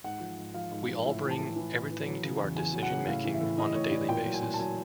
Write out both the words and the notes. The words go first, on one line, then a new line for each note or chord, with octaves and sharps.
We all bring everything to our decision-making on a daily basis.
G#2 F#5
F3
G#2
F3 F5
G#2
F3
A2 E5
E3
A5
A2
E3
A2
E3
F#3
C#3
E2
E2 G#5
F#3
F#5
C#3
A2 F5
E3
E5
A2
E3 D#5
A2 C#5
E3 D5
A#2 G5
F#3
G#5
A#2
A5
F#3 G#5